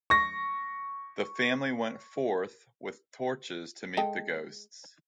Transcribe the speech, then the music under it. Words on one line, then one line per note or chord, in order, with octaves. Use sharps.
The family went forth with torches to meet the ghosts.
C#6 A#6
G#3 A4 G5